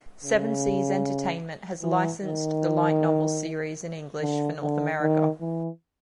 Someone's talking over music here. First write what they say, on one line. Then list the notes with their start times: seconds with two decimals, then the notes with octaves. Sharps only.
Seven Seas Entertainment has licensed the light novel series in English for North America.
0.24 C#3
1.83 E3
2.22 D#3
4.22 D3
4.61 D3
5.01 D#3
5.41 E3